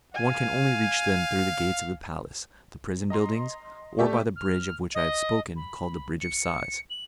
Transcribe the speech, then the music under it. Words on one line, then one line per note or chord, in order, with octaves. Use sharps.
One can only reach them through the gates of the palace, the prison buildings, or by the bridge of which I have spoken called the Bridge of Sighs.
F5 G#5
D#5 A#5 C6
A3 G4 D5 E5 C#6
F6
D#5
B5
C#7
F#7